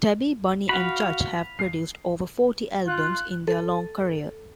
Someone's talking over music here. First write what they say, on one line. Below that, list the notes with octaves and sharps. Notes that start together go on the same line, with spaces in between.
Tabby, Bunny and Judge have produced over forty albums in their long career.
F#4 F5 B5
C7
F4 F#6
A4